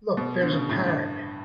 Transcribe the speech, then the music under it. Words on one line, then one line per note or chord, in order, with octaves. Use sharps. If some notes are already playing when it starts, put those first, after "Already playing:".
Look there's a parrot.
B2
D3
C#3
A2
G2